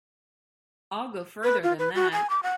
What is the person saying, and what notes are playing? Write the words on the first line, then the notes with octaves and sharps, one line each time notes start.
I'll go further than that.
B4
F4
B4
F#4
G#5
D6
F#5